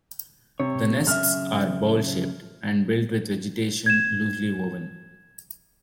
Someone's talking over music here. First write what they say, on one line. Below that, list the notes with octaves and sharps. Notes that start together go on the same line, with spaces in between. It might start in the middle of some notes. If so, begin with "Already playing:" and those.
The nests are bowl-shaped and built with vegetation loosely woven.
C3 C#5
F#2 C#3 E5 F6
G#6 E7